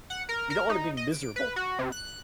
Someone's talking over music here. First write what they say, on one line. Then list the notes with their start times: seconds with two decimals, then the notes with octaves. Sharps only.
"You don't wanna be miserable."
0.10 F#5
0.29 A#4
0.50 A#4
0.69 D#4
0.97 D#5
1.12 D7
1.36 B4
1.56 F#4
1.79 C3
1.92 F#6